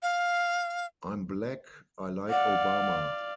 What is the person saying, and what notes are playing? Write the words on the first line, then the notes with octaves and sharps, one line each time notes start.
I'm black; I like Obama.
F5
D5 F5 F#5